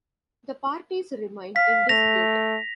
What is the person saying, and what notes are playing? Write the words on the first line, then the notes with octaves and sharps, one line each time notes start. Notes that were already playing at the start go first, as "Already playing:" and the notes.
The parties remained in dispute.
F5 B6
A3 A#6 F7